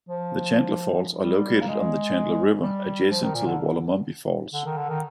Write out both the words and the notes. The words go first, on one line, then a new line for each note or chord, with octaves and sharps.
The Chandler Falls are located on the Chandler River, adjacent to the Wollomombi Falls.
F3
G3
A#3
G#3
G3
F3
D#3
A#2
D3
D3
D#3
D3
D#3